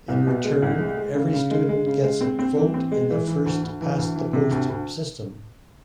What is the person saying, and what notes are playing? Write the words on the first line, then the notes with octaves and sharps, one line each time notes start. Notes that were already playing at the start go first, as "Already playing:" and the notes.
In return every student gets a vote in a first past the post system.
C2
B2
G#3
C2
G#3
G#3
C#3
C#3
G#3
G#3
C#3
G#3
C4
C4
E3
C4
G#3
E3
E3
D2
D2
E3
D2
E3
C3
D2
D2